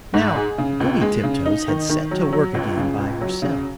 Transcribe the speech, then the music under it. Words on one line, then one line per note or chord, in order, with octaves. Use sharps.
Now Goody Tiptoes had set to work again by herself.
G#2
G#4
C#3
C#2
G#3
C#3
D#4
D#3
D#3
F#3
F#3
C#2
C#3
C#2
F#3
C#3